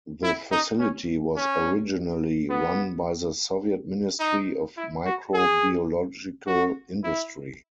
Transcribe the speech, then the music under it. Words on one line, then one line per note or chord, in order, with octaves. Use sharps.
The facility was originally run by the Soviet Ministry of Microbiological Industry.
E4
D#4
C#4
C#4
B3
D#4
E4
F#4
G#4
F#4
E4